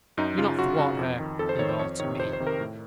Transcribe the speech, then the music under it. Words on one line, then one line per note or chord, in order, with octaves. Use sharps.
Do not thwart her; leave all to me.
F#2 D#4
C#3 F4
F#2 F#4
C#3 F#4
F2
D#3
F2 A4
C5
D#3 C#5
C5
F2 C#5
C3 D#3 C#5
F2 C5
C5
C3 D#3
A#4
A2